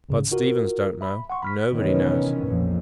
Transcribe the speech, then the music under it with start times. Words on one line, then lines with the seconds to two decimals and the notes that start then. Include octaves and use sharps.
Bud Stevens don't know--nobody knows.
0.09 C2 G#2 C#3
0.31 F4 F#4 A#4
1.01 E5 B5
1.30 F#5 C6 C#6
1.42 B5 F6 B6
1.73 C3 D#3 E3 B3 C#4
2.46 A#1 F2